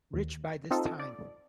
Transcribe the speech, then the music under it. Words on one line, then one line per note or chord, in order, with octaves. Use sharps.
Rich by this time.
D#2
C4 D#4 F4 A4
D5